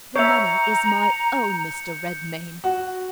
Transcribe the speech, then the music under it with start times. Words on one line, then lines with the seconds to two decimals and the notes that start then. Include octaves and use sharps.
"The money is my own, Mr. Redmain."
0.16 C#5 E5 A#5 G6 C#7 F7
2.64 F#4